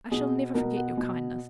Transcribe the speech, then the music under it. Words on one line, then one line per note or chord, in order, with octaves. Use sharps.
I shall never forget your kindness.
B2 G#4
B2 A#4
F#5
B2